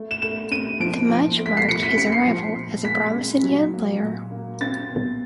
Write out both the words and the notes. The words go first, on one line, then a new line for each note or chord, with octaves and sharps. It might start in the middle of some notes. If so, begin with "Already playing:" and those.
The match marked his arrival as a promising young player.
Already playing: A3
E7
A3 E7
C4 D#7
F3 D7
F3
A3
B6
C7
F3 C#7
B6
C4 C#7
C7
F3
A#2
G#3 B6
C4
F#3
A#3
A#2
A#3
C4 A6
B2